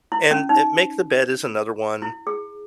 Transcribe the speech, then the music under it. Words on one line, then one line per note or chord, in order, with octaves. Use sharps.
And, eh, make the bed is another one,
E4
C#4
D#4
E4
G#4